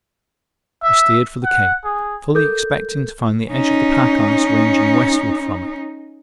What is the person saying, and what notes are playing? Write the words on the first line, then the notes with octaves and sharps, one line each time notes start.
We steered for the Cape, fully expecting to find the edge of the pack ice ranging westward from it.
E5
F#5
G#4
A4 A#4 G6
C#4 D#4